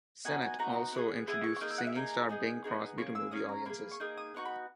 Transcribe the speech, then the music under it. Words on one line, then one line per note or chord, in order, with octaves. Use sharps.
Sennett also introduced singing star Bing Crosby to movie audiences.
B3 D#4 F#4 G#5
G#5
B3 D#4 F#4 A#5
B3 E4
G#4
B3 E4 G#4 D#6
C#6
C#6
A#3 D#4 G#4 D#6
E6
F#5
E5
A#3 D#4 G#4 G#5
B3 D#4 G#4
B3 D#4 G#4
A#3 C#4 G#4 C#6
E6
A#3 C#4 G#4 D#6
A#5
A#3 D#4 G#4 B5
C#6
A#3 D#4 G#4 D#6
D#6
B3 D#4 F#4 C#6
B5